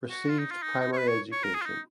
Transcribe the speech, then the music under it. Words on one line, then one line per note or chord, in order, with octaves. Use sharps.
Received primary education.
F#4
F4
D#4
F4
D#4
D#4
C#5
B4
C#5
C#5
A#4
G#4
F4
D#4